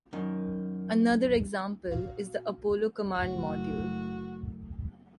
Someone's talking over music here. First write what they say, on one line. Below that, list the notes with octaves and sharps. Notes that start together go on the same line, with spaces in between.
Another example is the Apollo Command Module.
F#2 D#3
A#2 F#4 F5
F#1 A3 F#4